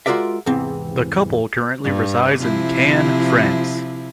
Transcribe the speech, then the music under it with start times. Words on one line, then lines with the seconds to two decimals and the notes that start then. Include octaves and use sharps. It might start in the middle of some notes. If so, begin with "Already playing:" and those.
The couple currently resides in Cannes, France.
0.06 G#3 F4 F#4 A#4 D5 E5
0.46 E2 G#2 C3 E3 C4
1.83 G2
2.37 C3 F3 E4